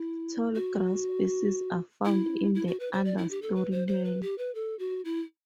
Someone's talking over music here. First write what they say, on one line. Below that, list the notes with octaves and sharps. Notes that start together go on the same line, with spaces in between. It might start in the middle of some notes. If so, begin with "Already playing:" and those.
Tallgrass species are found in the understory layer.
Already playing: E4
F#4
E4
E4
F#4
B4
C5
D5
E4
G4
A4
B4
C5
C5
B4
G4
B4
A4
F#4
E4